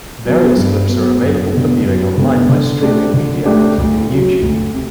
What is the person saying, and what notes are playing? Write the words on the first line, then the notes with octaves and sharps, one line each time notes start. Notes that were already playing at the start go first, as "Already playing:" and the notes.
Various clips are available for viewing online by streaming media, including YouTube.
F#3 B3
G2
F#3 B3
F#2
D3 G3 B3
F#2
D3 G3 B3
D3
A3 D4 G4
D3
A3 D4 G4
D2
C3 F#3
D2
C3